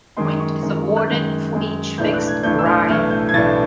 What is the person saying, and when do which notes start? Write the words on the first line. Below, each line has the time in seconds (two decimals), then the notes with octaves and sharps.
A point is awarded for each fixed rhyme.
0.17 F#2 D#3 G#3 C6
0.40 C#6
0.62 F#2 D#3 G#3
0.97 F#6
1.07 F#2 D#3 G#3 G6
1.53 F#2 D#3 G#3
1.98 B1 A2 E3 A3 D4 G6
2.13 F#6
2.28 G#6
2.43 B1 A2 E3 A3 D4 G6
2.59 E6
2.66 F6
2.88 B1 A2 E3 A3 D4 F6
3.11 G6
3.29 G#6
3.33 B1 A2 E3 A3 D4 A6